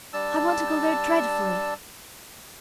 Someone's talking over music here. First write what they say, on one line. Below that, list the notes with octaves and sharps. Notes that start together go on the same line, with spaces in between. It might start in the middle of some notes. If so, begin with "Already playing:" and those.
I want to go there dreadfully.
G3 D4 A5 E6